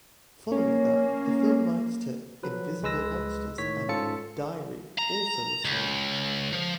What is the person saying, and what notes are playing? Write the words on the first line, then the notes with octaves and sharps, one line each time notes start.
Following that, the film rights to "Invisible Monsters" and "Diary" also were sold.
A#3 C#4
F3 F#3 B4
C#2 G#3 B4 E6 A#6
A2 D#3 C#5 B6
G#2 C#4 F4 A4 A6 C#7
A#5
C#2
F3